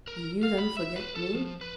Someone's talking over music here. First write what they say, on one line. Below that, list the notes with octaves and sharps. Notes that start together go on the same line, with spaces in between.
"Will you then forget me?"
A#4
F5
B5
E5
B4
A4
F3
B4